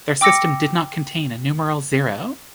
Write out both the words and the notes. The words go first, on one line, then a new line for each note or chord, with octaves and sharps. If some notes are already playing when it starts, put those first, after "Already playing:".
Their system did not contain a numeral zero.
G5 D6 E6 A#6 C#7